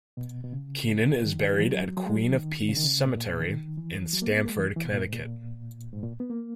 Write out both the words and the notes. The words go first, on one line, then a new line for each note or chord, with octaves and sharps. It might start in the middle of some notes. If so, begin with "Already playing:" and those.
Keenan is buried at Queen of Peace cemetery in Stamford, Connecticut.
B2
B2
C#3
D#3
E3
F#3
F#3
G#3
F#3
D#3
C#3
D#3
C#3
A#2
D#3
E3
F#3
A#3
B3
A#3
G#3
E3
E3
B2
A#2
G#2
A#2
G#2
A#2
B3
A#3